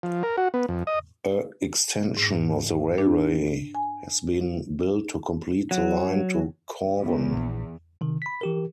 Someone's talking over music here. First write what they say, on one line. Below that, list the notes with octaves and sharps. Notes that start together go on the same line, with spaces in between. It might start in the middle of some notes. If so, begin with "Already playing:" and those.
A extension of the railway has been built to complete the line to Corwen.
F3
A#4
F#4
B3
F2
D#5
G#2
D4
G#5
F#3
E2
A#1
C3 D#3
B5 B6
E3 G4 A#4